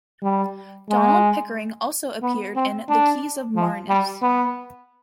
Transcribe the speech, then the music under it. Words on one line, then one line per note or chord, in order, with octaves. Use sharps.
Donald Pickering also appeared in "The Keys of Marinus".
G3
G#3
B3
C4
D4
F3
G3
B3